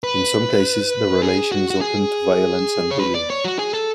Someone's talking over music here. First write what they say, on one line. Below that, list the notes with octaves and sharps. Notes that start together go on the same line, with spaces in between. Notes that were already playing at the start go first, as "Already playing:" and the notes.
In some cases, the relation is open to violence and bullying.
B4
G#4
F#4
F#4
G#4
C#5
B4
D5
C#5
F#4
G#4
A4